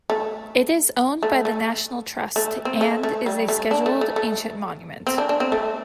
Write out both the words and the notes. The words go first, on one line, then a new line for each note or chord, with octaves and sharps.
It is owned by the National Trust, and is a Scheduled Ancient Monument.
A3
A3
A3
A3
C4
A3
A3
G3
A3
D4
A3
A3
A3
C4
D4
D4
C4
A3